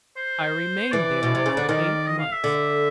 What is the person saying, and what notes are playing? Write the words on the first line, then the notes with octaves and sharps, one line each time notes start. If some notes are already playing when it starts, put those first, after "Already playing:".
I remained there for eight months.
C5
E3 D5
B2
C3
C#3
D3
D#3 D5
D#5
F5
E5
D3